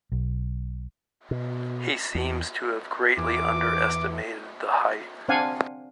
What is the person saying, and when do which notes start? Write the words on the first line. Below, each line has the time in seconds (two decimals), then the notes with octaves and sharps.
He seems to have greatly under-estimated the height.
0.12 B1
1.31 B2
2.15 E2
3.17 E2 D6
5.29 C4 D4 D5 F5 F#5 G#5